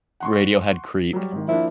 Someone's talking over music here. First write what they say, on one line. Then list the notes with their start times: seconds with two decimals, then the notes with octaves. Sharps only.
Radiohead Creep
0.20 F#5 C6 C#6
1.13 F#3 G3
1.32 G#1 D#3
1.48 F3 A#3 D4 E4